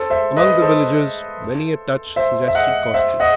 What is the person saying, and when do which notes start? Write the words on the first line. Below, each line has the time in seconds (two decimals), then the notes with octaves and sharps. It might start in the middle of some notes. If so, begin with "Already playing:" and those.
Among the villagers many a touch suggested costume.
Already playing: A4 C5
0.10 C5 E5
0.37 B4 D#5
0.62 A4 C5
2.16 C5 E5
2.48 E5
2.55 D#5 F#5
2.94 C5 E5
3.20 D#5 F#5